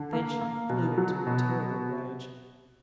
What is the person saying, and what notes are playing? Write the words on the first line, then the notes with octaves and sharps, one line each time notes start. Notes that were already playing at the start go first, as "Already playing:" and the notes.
Then she flew into a terrible rage.
Already playing: D3
A#3
A#3
B2
F#3
B2